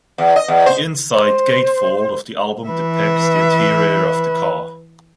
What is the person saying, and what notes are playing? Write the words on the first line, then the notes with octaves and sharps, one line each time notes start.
The inside gatefold of the album depicts the interior of the car.
E2
D#5
E2
C5
C5 C6
E3 B4 E5